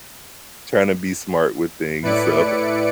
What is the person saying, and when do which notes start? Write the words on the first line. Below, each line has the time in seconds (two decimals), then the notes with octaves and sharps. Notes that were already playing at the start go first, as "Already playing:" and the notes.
tryna be smart with things. So
2.02 A2 E4 B4 D5 C#7 D7